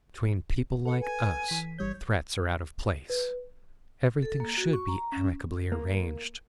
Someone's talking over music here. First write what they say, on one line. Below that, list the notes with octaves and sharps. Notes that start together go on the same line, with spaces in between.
Between people like us threats are out of place, everything should be amicably arranged.
A4 B4 F#5
G#5
E3 B6
G1 G3 C#5 G6
B4
A4
A#3
F#4
C#6
A#5
C#4
A#3